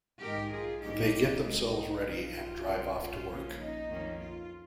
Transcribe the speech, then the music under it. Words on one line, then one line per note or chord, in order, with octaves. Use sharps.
They get themselves ready and drive off to work.
G#2 D#3 G#3 D#4 G4 A#4
F4 G#4
G2 D#3 A#3 C#4 D#4 G4
C3 D#3 G#3 D#4
C#3 F3 C4 D#4 F4
C#3 G3 C4
F4
C#3 F3 A#3 C#4
D#4
F2 D#3 A#3 C#4
F4